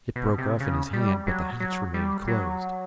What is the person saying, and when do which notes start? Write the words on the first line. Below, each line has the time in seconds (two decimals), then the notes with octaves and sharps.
It broke off in his hand but the hatch remained closed.
0.16 B2
0.38 C3
0.60 C#3
0.93 G3
1.27 F#3
1.60 F#3
1.94 G3
2.28 F#3